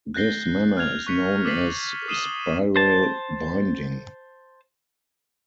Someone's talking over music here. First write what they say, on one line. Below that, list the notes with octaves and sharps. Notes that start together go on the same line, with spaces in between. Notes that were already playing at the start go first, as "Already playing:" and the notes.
This manner is known as spiral binding.
F#6 G6 A6 A#6 C7 G7
F6 F#6 G#6 F7
C#6 F#6 B6 C#7 D#7
D6 E6 A6 B6 C7 F#7
D#6 C7 D#7 E7 F#7 G7
C5 A5